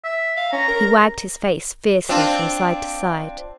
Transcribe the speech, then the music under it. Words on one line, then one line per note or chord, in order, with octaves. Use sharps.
He wagged his face fiercely from side to side.
E5
F5
C#4 A#5
A#4
C4 D4 F4